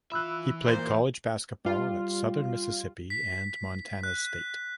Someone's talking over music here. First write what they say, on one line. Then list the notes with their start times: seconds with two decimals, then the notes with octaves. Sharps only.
He played college basketball at Southern Mississippi and Montana State.
0.12 E3 F4 E5 B5 E6 F#6
0.65 A#2 A#3 C5
1.65 G3 F4
3.10 B6
4.03 F#6